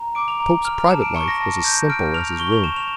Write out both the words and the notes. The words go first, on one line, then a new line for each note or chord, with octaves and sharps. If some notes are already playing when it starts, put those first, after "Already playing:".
The Pope's private life was as simple as His room.
Already playing: A#5
D6 D7
F7
A#5
F6 F7
A5 E7
D7
C#6 C#7
A#6
A5
G6
F6 D7
F6 F7
C#6 G7
F7
C#6 E7
F7